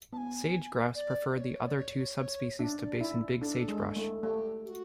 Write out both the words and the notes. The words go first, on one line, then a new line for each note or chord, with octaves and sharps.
Sage grouse prefer the other two subspecies to basin big sagebrush.
B3 A5
G#5
D5
D5
C#5
D5
C#5
C#5
D4 D5 E5
E4
D4 A4
G#3
A3
A3 G4
G4
F#4